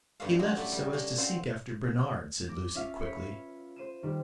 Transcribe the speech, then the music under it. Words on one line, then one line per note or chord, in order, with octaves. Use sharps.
"He left so as to seek after Bernard," said Lucy, quickly.
G2 D#3 A3 C#4 D4 F5
F#3 A#3 F4 G4
A2 A3 D5
G3 A#3
A#3 C#4 D4
C4 C#4 F4 F#4 A#4 C5
D6 A#6
C#4 F4 E5 F5
B4 C#5
C5 D#7 E7
D#3 G3